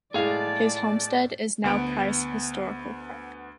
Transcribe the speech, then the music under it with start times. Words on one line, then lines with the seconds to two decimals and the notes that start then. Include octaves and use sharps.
His homestead is now Price Historical Park.
0.14 A2 G#3 G#4 D5 F5 A5
1.64 D2 B3 D7